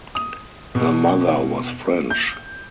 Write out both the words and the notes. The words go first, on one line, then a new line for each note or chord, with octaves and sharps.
Her mother was French.
D#6
B2
G6